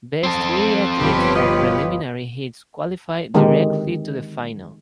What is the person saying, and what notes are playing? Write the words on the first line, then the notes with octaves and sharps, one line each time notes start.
Best three athletes from preliminary heats qualify directly to the final.
C4 A4
G1 F3 G4 B4 C#5
F4 D#5 D#6
D3 D#3 G#3 C4 D#4 G4